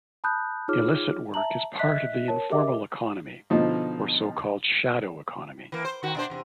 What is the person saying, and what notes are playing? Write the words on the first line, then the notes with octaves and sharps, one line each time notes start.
Illicit work is part of the informal economy or so called "shadow economy".
A5 B5 D#6 F#6 G6
D#4 F4 G#4 C#5 D6 F6
E5 A5 A#5 F#7
D#5 E5 F#6 B6
A#4 C#5 A5
G4 G#4 A#4 D#5 E5 D6
B2 D3 F3 D#4
E3 A#3
C5
D#3 F#4
B2 D4 C5
E2 C3